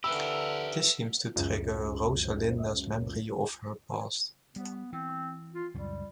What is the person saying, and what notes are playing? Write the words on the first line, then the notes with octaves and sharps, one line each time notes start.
This seems to trigger Rosalinda's memory of her past.
D3 G4 A#4 B4 E5 B5 E6
C#2 F#2
G3 B3
E3 C4
F4
C#2 F#2 G3